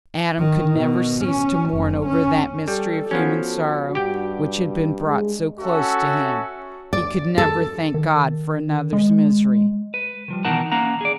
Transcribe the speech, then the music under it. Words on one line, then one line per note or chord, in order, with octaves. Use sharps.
Adam could never cease to mourn over that mystery of human sorrow which had been brought so close to him; he could never thank God for another's misery.
D#3
B2
C#4
F#1
C#4
G3 A4
F3 B3 C#4 F#4
G2 G4 G5
G#3
C#4 F#4 A4 E5
D5
A4
D#3
G#3
B4
D#3 F3 G3
B2 D#3 E3 A#4 F#5 A5
A#3 C#4 F#5 A#5
G#4 D5